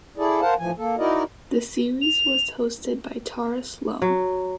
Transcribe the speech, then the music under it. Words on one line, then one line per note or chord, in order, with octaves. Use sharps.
The series was hosted by Tara Slone.
E4 G#4 A4 D5
A#4 C5 F5 F#5 A5
A2 E3 F3 G#5
A#3 A4
D#4 E4 F#4 A#4 D5 D#5
F7
F#3